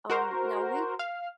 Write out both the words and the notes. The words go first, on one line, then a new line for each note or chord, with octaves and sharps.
um, now we t
F#4 A#4 C5
F5